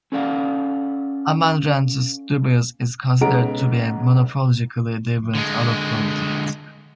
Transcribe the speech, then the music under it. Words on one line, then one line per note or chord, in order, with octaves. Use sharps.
"Amaranthus dubius" is considered to be a morphologically deviant allopolyploid.
C#4 A4 D5 F5 F#5
B1 C#3 G#3 B3 A#5 D7
D3 G#3